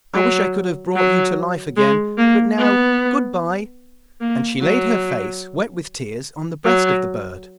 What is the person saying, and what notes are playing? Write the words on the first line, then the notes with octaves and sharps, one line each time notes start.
'I wish I could have brought you to life again; but now, good-bye!' And she laid her face, wet with tears, on the breast of the bird.
F#3
F#3
G#3
A#3
B3
A#3
F#3
F#3